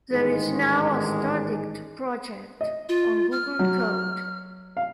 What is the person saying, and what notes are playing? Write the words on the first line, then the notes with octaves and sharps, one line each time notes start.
There is now a StarDict project on Google Code.
A1 G#2 D#3 G#3
D#5
F4
F6
F#3
F5